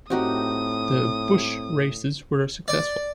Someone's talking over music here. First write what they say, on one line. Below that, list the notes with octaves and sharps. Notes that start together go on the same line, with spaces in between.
The Busch races were successful.
A2 C4 D#4 F#4 G4 D#6
D5